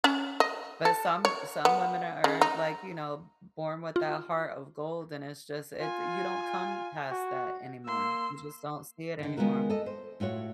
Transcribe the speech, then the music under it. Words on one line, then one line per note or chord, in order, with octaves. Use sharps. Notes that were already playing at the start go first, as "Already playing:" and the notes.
but some some women are are, like, you know, born with that heart of gold and it's just it you don't come past that anymore, you just don't see it anymore.
C#4
D#5
A4
C#5
B3
C#3
D#4
F4
F4 G#5
F#4
A#3 C6 E6
D3 D#3
D#3 G#3 B3 F4 F#4 A#4
A4 D#5
C5
A2 F4 F#4 C#5